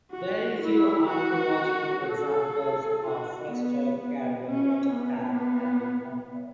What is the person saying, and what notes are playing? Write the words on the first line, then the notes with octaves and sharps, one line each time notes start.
Very few archaeological examples of prehistoric Caribbean watercraft have been uncovered.
F#4
E4
F#4
A4
F#4
B3
B3
C#4
B3